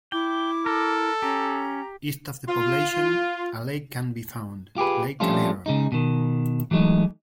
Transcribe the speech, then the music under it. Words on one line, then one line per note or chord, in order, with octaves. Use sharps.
East of the poblacion a lake can be found, Lake Calero.
E4 G5 D6
A4 A#4
C#4 G4 A#5
F4
F4 G4 G#4 B4
F3 G3 A3 C#4 D4 F4
C#3 G#3 D#4
B2 D#3
E3 F#3 G#3 A3 D#4